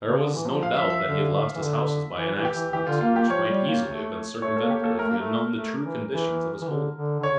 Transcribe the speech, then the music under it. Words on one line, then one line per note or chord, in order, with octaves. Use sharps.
There was no doubt that he had lost his houses by an accident which might easily have been circumvented if he had known the true conditions of his holding.
C#3
D3
E3
F3
F5
F3 E5
E5
D3
E3
D3
E3
E3
G4
E3
E3 G4
D3 F4
A#3 F4
A#3 G4
F3 C#5
G3
A#3
A3
A3 C#5
A#3 A4
G4
A#3 A4
A3 A#4
A#3
A3
A3
E3
E3
E3
D3
D3
D3
C#3 C#5